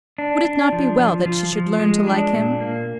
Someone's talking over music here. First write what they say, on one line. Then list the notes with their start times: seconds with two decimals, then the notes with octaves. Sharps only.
Would it not be well that she should learn to like him?
0.18 D4
0.45 D4
0.72 F3
0.99 F3
1.26 F3
1.53 F3
1.80 G#3
2.07 D4
2.33 A#2
2.61 A#3